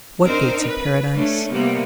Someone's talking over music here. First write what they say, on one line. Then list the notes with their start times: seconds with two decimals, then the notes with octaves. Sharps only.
"What gates of paradise?"
0.23 C4 D4 D#4 A#4 C5
0.63 B4
1.14 A3 C#4 D4
1.52 C3 G3 A#3 B3